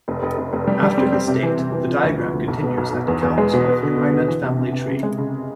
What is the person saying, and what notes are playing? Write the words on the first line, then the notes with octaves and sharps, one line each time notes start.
After this date, the diagram continues at Counts of Hainaut family tree.
F1
F1
F1
F1
G3
G3
C4
C4
C3
E3
C3
E3
F3
D2
F3
D2
B1
B2
B1
B1
E2
E2
G#3
B2
B3
D3
D3
D3
E3
C3
C3
C3
C#3
G#3
C#3